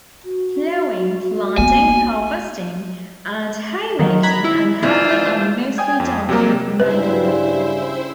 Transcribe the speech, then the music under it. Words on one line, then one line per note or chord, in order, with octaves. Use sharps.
Ploughing, planting, harvesting, and hay making and handling are mostly done through manual labour.
F#4
A#3 B3 G#5
D#3 F#3
A#5 B5 F#6 G#6 B6
E4
E3 G#3 E4 F4 C5 D5
G5 G#5 D#6 G#6
F2
C3 F#3 G3 A#3
G2 C#3 G3 E4 B4 C5 E5